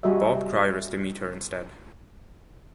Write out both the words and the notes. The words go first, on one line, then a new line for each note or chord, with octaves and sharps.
Bob Cryer is to meet her instead.
G3 F#4 G#4 D#5 E5